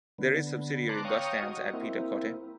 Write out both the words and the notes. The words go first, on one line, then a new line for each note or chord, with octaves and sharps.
There is subsidiary bus stands at Pita Kotte.
D3 B3
A5 A#5 C6 D6 F#6
C#5 F5 G5 A#5 C#6 D#6
F#4 D#5
A#3 C4 E4